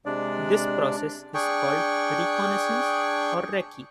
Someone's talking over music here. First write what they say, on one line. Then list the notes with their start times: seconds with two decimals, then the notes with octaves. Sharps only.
This process is called reconnaissance or recce.
0.06 C3 G#3 D4 D5
1.35 D4 G#4 G5 C#6